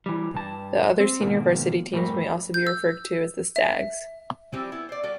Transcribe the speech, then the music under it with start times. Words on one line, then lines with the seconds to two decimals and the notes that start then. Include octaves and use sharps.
The other senior varsity teams may also be referred to as the Stags.
0.06 E3 G3
0.35 G2 A5
1.00 C4
1.21 G#2 B2 D#3 A#3
1.93 F2 G#2 G3 A3 A#4
2.54 G6
2.67 E6
3.56 E5
4.52 E3 F3 G3 C4 G4
4.72 B3 E4
4.89 C5 D5
5.03 G3 F#4 A4 D5